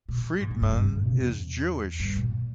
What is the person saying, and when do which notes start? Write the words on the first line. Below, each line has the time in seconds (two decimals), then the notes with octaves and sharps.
Friedman is Jewish.
0.08 A#2
0.40 G#2
0.51 G#2
0.62 G#2
0.73 G2
0.88 E2
1.04 C#3
1.21 E2
2.00 G2
2.16 A#2